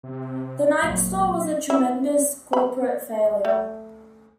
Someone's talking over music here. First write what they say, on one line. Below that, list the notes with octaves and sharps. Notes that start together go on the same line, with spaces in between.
The Nike store was a tremendous corporate failure.
C3
G#1 A#2 F#3
E4
B5
A3